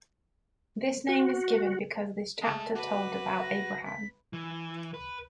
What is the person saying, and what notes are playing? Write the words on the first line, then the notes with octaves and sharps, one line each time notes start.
This name is given because this chapter told about Abraham.
F#4
G#3 A3
F#4 B4 D6
A#6
B6
E3
B4